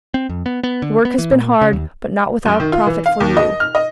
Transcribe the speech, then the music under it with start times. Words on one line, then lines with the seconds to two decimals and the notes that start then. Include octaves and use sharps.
The work has been hard, but not without profit for you.
0.14 C4
0.29 F2
0.46 B3
0.63 B3
0.82 D3
1.05 B3
1.18 E3
1.31 A#2
1.61 C#3
1.73 D#2
2.46 F#2
2.60 D#3
2.72 F4
2.86 E3
3.06 F5
3.20 D#2
3.37 D#5
3.60 F6
3.75 D#5